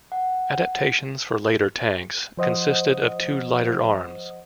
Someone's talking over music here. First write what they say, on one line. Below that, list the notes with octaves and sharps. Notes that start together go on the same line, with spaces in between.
Adaptations for later tanks consisted of two lighter arms.
F#5
F3 C5 D#5 F#5 D#6